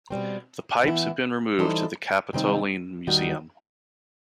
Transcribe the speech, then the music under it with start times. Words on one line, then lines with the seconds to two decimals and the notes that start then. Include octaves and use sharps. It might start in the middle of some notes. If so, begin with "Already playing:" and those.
The pipes have been removed to the Capitoline Museum.
0.10 B2 G3 C4
0.84 E3 B3 E4
1.59 E3 G3 D#4 A4 C5
2.33 C3 D#3 G3 C4 D#4
3.07 D#2 D#3 G3 D#4 F#4